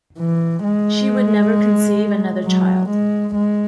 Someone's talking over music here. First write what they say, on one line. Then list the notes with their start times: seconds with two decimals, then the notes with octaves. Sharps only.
She would never conceive another child.
0.18 E3
0.64 G#3
2.45 F#3
2.90 G#3
3.35 G#3